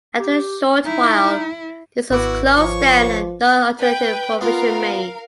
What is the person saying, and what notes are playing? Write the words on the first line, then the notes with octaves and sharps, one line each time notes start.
After a short while, this was closed down and no alternative provision made.
G4
D#4 E4
G#1 B3 E4 F#4 B4 D6
F3 C#5 C#6
B4 G5
B3 F4 A#4 F5